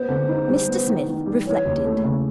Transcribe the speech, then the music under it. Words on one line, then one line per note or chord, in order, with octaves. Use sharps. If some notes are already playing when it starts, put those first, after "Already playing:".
Mr Smith reflected.
Already playing: B3 C5
D3
D#4
G3
B3
D#3
D#3
G3
E3 C#5
D#2
A3
C#3